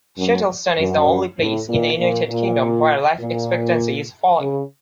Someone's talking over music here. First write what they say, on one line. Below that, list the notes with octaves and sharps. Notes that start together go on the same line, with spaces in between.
Shettleston is the only place in the United Kingdom where life expectancy is falling.
F#2
F#2
A2
A#2
A#2
A#2
A#2
C#3